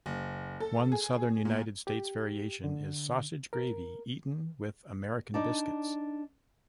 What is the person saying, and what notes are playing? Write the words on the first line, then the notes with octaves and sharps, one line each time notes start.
One Southern United States variation is sausage gravy eaten with American biscuits.
F#1
A4
G#4
A#2
G4
D3
A#4
D4 D#4 D5